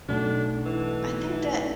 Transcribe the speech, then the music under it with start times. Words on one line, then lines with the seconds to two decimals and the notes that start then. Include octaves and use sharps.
I think that
0.08 B1 A3 D4
0.66 E3